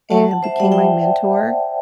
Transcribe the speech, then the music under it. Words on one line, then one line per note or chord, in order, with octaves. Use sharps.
and became my mentor,
A3 F#5 A5
F#5
C5 E5
G3 D5 F#5
E5 G5